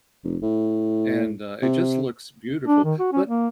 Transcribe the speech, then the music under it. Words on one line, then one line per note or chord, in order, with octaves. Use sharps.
and, uh, it just looks beautiful, but
F1
A2
C3
D4
D#3
F#4
C#4
A#3